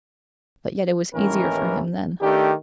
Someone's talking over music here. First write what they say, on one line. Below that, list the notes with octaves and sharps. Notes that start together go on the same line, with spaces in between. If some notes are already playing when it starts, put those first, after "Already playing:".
But yet it was easier for him then.
A1 D#2 D#3 E3 C#4 A#4
D#3 A3 D4 G4